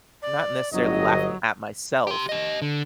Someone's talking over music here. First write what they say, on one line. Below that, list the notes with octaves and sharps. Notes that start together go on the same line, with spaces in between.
not necessarily laughing at myself.
D5
G1 F#3 D#5
G4 C6
G4 D#5
D3